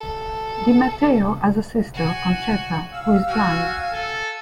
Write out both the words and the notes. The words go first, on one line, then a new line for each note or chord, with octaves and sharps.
Di Matteo has a sister, Concetta, who is blind.
A4
F#4 G#5
F5 E6
F#4 G#5
A4